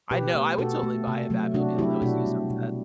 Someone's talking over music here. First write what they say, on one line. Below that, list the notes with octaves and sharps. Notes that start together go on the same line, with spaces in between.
I know. I would totally buy a Batmobile that was used on set.
B2 G4 B4
A3
B2 F#4 A4
A3
C3
F#3 A3
C3 D4 F#4
F#3 A3 E4 G4
B2 D4 F#4
G3
B2